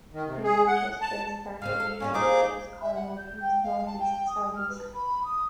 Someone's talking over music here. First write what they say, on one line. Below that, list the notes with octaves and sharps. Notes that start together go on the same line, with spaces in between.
The Natchez Trace Parkway traverses Collinwood from northeast to southwest.
D#3
C3
G#4
F#5
A5
C#3 A#3 C4 F5
A4
A#3 B3 C#4 F4
F3 A#3 C4 D#4 G#4 D6
E5
F#5
G6
G5
F5
A5
G5
D#6
F6
B4
B5
D#6